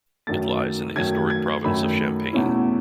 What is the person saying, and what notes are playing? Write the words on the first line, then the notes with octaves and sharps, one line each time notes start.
It lies in the historic province of Champagne.
F#2 D#3 F#3 A3 A6
F#2 D#3 F#3 A3 G#6
G#6
F#2 D#3 F#3 A3 B5
E2 B2 A3 C#4 E4